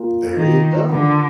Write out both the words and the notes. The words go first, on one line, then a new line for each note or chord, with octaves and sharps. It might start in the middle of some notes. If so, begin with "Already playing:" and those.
There you go.
Already playing: A#2
D#3
D3